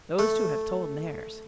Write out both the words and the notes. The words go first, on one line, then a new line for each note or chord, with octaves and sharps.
"Those two have told theirs."
A3